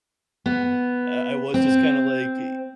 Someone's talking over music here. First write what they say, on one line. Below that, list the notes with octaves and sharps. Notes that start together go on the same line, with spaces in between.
I I was just kinda like i
B3
C4